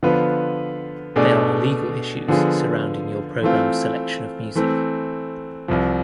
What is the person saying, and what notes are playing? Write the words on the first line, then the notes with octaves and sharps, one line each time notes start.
There are legal issues surrounding your program's selection of music.
D3 F3 B3 F4 B4
B2 A3 D4 G#4 D5
D3 F3 B3 F4 G#4
E3 A3 C4 F4
E3 A3 C4
C2 C3 F3